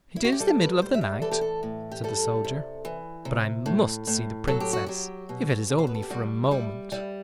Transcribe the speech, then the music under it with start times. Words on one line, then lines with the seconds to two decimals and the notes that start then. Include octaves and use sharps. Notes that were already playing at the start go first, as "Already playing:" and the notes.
"It is the middle of the night," said the soldier, "but I must see the Princess, if it is only for a moment."
0.16 E4
0.24 F#4
0.32 G4
0.40 G3 A4
0.61 B4
0.81 A2 C5
0.94 E5
1.01 D5
1.22 E3 A4
1.31 G4
1.41 A4
1.63 A2
1.91 G4
2.04 G3 A4
2.44 C3
2.85 E3
3.25 C3
3.66 A2
4.07 A2
4.48 F#3 A4
4.60 G4
4.73 F#4
4.87 F#3 G4
5.29 B2
5.70 B2
5.78 C5
5.87 B4
5.95 A4
6.02 G4
6.10 G3 F#4
6.51 G3 E4
6.92 G3 E4